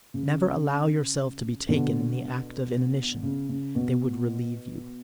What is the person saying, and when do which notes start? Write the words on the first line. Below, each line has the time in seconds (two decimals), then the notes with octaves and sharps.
Never allow yourself to be taken in the act of inanition. They would relieve you.
0.14 C#3
1.69 B2 D3
3.23 C#3
3.49 C#3
3.75 B2